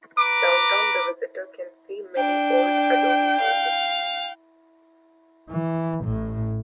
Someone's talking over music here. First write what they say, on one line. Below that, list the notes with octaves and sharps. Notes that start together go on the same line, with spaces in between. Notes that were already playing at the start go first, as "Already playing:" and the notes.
Downtown the visitor can see many old adobe houses.
B4 A#5 D6
D4 G5
F5
E3
A1 A2